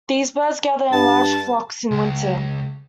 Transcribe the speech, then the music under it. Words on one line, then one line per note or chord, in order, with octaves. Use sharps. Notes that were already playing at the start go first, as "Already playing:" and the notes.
These birds gather in large flocks in winter.
G2 A5
C#2